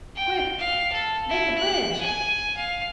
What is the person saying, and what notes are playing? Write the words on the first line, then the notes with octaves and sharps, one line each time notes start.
Quick!--Make a bridge!
G5
F5
A4
E4
F#6
G#5
F5